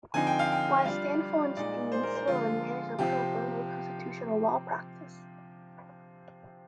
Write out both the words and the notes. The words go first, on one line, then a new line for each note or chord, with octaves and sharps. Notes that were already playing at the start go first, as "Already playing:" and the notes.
While Stanford's Dean, Sullivan maintained a pro bono constitutional law practice.
D3 F3 C4 D#4 G#5
G5
F5
G5
G3 D4 F4 F5
A#2 G#3 D#4 D5
C5
A#4
C5
D3 F3 G#3 F4
C3 F3 C4 G4